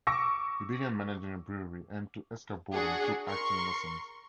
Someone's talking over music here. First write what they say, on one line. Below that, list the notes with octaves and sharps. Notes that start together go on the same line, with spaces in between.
He began managing a brewery and, to escape boredom, took acting lessons.
C#6 D6 E6 A#6
D4 F#4 G#4 F#5
A#4 C6 C#6